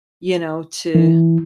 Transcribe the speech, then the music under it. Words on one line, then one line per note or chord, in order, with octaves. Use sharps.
you know, to
E3